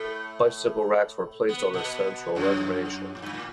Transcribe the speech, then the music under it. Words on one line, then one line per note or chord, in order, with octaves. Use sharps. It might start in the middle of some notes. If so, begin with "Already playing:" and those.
Bicycle racks were placed on the central reservation.
Already playing: A2 A3
B3
B2 B3
F#2 F#3
A2
G2
A2